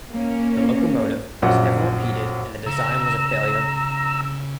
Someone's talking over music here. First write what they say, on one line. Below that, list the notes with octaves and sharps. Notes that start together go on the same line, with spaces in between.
The locomotive was never repeated and the design was a failure.
A#3 C#4
A#1 F#2 F#5
C#3 A#5 E6